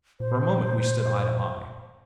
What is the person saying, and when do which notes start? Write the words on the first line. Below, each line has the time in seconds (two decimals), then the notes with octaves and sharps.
For a moment we stood eye to eye.
0.20 A#2 C5